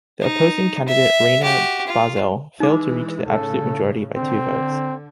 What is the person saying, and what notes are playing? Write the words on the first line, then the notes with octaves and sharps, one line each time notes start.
The opposing candidate Rainer Barzel failed to reach the absolute majority by two votes.
D#4
E5
F#4 G4
F4
E3 G#3 D#4 D6
A2 C#3 A4
D3 C4